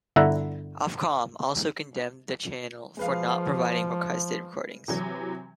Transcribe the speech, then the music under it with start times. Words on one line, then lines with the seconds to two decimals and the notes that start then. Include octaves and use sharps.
Ofcom also condemned the channel for not providing requested recordings.
0.16 G1 D3 E4 E5 F#5 A#5
2.97 F3 G#3 B4 F5
4.88 C3 E3 F#3